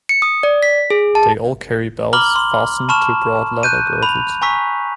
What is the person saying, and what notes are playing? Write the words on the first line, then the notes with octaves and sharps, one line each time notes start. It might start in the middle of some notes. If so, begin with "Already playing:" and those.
They all carry bells fastened to broad leather girdles.
C#7
D#6
D5
B6
G#4
A5
A#5 B5 D6 F6 F#7 G7
C6
A5 B5 C#6 F6 E7
F#6 G6 D#7
B5 F7
G#5 A#5 C#6 E6 B6